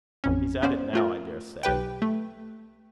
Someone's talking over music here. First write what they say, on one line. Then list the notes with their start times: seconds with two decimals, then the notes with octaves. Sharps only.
He's at it now, I daresay.
0.24 A1 F2 C#4
0.62 B3 C#4 C5 D5
0.94 A3 F4 A#4
1.63 B1 G4 B4 G5
2.02 A3